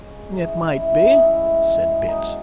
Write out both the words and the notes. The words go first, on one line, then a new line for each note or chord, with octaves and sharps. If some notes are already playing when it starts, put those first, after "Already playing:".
"It might be," said Bince.
Already playing: G#3 C#5
C#3
E3 D#4
C#3
E3 E4
C#4
A3
D#4
G#3 E4
G#3
B2
G#3
F#3 D#4